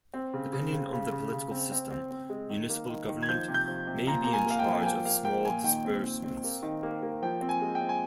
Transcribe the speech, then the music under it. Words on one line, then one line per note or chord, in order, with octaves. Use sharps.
Depending on the political system, municipal government may be in charge of small disbursements.
C4
C#3
C#3
C#3
C#3
C#3
C#3
C4
C4
C4
C4
G#3
D#3
A#3
D#3
D#3
G#6
F3 G6
C3
G6
F3
C3
A#2 A#5
A#3 A#5
G#5
A#3 F5
G5
F3
G#5
A#3 G5
A#3 F5
A#3 G5
A#2 G#5
D#3 G5
C4
C4
C4
A#3
D#3
A#3
A#3
F3 G5
C4
G#5
G#3
G5
C4
G#5